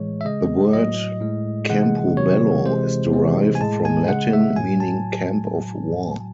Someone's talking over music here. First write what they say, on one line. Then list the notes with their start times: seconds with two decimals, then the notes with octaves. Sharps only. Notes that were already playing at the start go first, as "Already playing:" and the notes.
The word Campobello is derived from Latin, meaning "camp of war".
Already playing: A2 E3 G#3 C#5
0.21 E5
0.25 C#3 G#3 D#5
0.73 A2 F#3 D#5
1.21 A2 G#3
1.69 C3 E3 G#3 F#5
2.17 C3 D#3 F#3 C#5
2.65 C3 E3 G#3 C5
3.13 C3 E3 G#3
3.55 G#5
3.61 A2 G#3 A5
3.85 G#5
4.08 C#3 G#3 F#5
4.33 E5
4.56 A2 F#3 G#5
4.80 A5